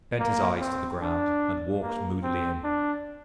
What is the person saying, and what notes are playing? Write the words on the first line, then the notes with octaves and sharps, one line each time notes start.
He bent his eyes to the ground, and walked moodily in.
A#3
C4
D4
A#3
C4
D4